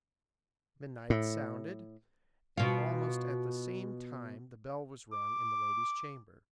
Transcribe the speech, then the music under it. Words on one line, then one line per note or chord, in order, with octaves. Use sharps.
Midnight sounded, and almost at the same time the bell was rung in Milady's chamber.
A2
B2 F4
D6